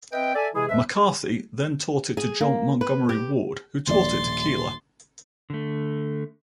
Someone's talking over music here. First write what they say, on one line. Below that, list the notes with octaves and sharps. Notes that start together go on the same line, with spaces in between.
McCarthy then taught it to John Montgomery Ward, who taught it to Keeler.
C4 B4 D#5 E5 G5
A4 D5 E5 G#5
C3 E3 G#3 E4 G#4
F2 F3 G#3 B4 E5
G#4
A#3
B4
G4
D#1 A#1 D5 C6 A6
D3 A3